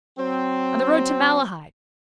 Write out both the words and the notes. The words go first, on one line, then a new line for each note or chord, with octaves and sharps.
On the road to Malahide.
F#3 C4